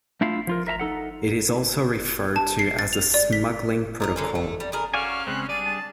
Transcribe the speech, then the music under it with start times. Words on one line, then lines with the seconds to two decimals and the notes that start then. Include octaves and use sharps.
It is also referred to as the Smuggling Protocol.
0.21 A3 D4 E4 F4 F5
0.47 F3 F4 A#4
0.67 A#4 E5 A5 A#5
0.80 D#4 A4 F#5
2.36 A5
2.59 C7
2.79 A6
2.93 F7
3.14 D5
3.33 B6
4.00 A#4 B4 D#5
4.16 D3 A#3 C#4
4.35 A3
4.60 G3
4.72 A2 G#4 A#4
4.94 C#4 F#4 D5 F5 G#5
5.27 C#3 G#3 C4 F#6
5.49 G3 D4 G#4 D5 D#7
5.65 A5